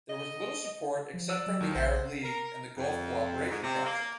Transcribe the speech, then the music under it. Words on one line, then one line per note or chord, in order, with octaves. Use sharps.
There was little support, except from the Arab League and the Gulf Cooperation Council.
D#5
F3
D5 E6
F#3
D#2 D#3
A#1 C5 F#5
A#4
F2
G#2
C3
A#3